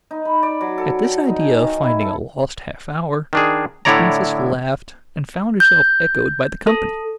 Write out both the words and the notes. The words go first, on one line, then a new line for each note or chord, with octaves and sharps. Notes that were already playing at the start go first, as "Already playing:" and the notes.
At this idea of finding a lost half-hour, the Princess laughed, and found herself echoed by the company.
D#4
B5
D5
F#3
A4
G5
D#4
G#5
D#3
E4
A4
D#3 D4 G#4
A2 D3 E4 C#5 D5 A#5
G6
A4